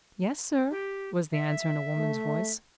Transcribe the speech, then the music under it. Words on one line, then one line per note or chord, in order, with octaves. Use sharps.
"Yes, sir," was the answer, in a woman's voice.
G4
E5
A3